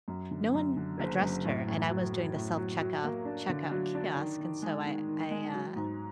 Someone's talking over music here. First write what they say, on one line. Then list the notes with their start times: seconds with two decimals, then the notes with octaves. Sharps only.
no one addressed her, and I was doing the self-checkoff checkout kiosk, and so I I, uh
0.08 F#2
0.31 D3
0.54 F#2
0.76 D3
0.99 F#1
1.21 F#2
1.45 A2
1.68 A2
1.89 F#3
2.13 F#3
2.36 A2
2.57 F#3
2.80 F#3
3.03 A#3
3.25 D4
3.49 D3
3.71 F#3
3.95 D4
4.16 D#3
4.40 D#3
4.62 G#3
4.85 D#3
5.08 D#3
5.31 G#3
5.54 F#3
5.76 G#2